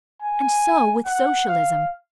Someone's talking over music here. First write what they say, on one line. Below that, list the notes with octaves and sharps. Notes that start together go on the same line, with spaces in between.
And so with Socialism.
G#5
F#5
F5